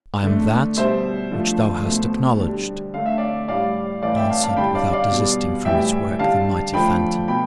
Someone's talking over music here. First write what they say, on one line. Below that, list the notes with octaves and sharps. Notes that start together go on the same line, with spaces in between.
'I am That which thou hast acknowledged,' answered, without desisting from its work, the mighty phantom.
D3 A3
B2 G3 C5 E5
D3 F3 A3
B2 A3
D3 G3
D3 A3 F5
E5
D5 F5
A2 G3 D5 F5
A2 E3 A3 D5 F5
E5 G5
F5 A5
F5 A5
D3 G3 G5 B5
D5 F5
D5 F5
B2 G3
A2 E3 G3 E5 G5
D3 G3 F5 A5
D3 F3 A3 G5 B5
B2 G5 B5